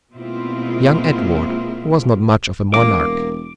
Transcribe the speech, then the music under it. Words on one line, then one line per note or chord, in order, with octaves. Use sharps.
Young Edward was not much of a monarch.
B2 G#3 A#3 C4 E4 F4
E1 A#3 D6